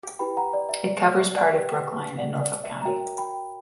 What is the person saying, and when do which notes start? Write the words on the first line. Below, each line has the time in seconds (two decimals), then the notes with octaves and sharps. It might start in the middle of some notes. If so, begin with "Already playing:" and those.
It covers part of Brookline in Norfolk County.
0.19 E4 G4 B4 G5 B5
0.37 F#5 A#5
0.53 D5
0.69 E5
0.87 D5
1.03 E5
1.20 E5
1.36 D5 F#5
1.53 G4 B4 D5 E5 G5
2.18 D5 F#5
2.41 D5
2.64 E5
2.82 A#5
2.85 F#4 A#4 C#5 E5 G5
3.18 G5 B5